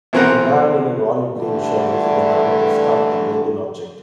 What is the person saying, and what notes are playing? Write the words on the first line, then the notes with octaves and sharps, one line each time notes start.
A man in an olive green shirt using a hammer to sculpt a golden object.
B1 E3 C4 A#4 F#5 A#5
G2 D3 E3 G3 A3